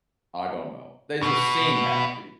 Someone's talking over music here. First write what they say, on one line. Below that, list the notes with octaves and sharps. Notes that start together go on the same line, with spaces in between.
I don't know, they just seem happy.
B2 B3